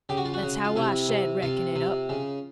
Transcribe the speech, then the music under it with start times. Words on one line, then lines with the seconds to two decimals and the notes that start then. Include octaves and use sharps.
That's how I shed reckon it up.
0.09 C#3 G4
0.17 F#4
0.25 F4
0.34 F#4
0.43 C#3
0.64 F4
0.76 C3 E4
1.09 C3
1.42 C3 F4
1.76 C3
2.09 C#3